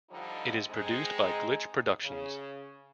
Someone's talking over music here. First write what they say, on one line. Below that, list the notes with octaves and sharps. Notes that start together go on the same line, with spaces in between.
It is produced by Glitch Productions.
D3 F3 G3 D4 D#4
G#3 C4 D#4
C#3